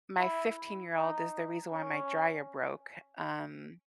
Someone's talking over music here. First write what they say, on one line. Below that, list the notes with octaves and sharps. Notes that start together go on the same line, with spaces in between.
my fifteen-year-old is the reason why my dryer broke, um,
E4
D#4
C#4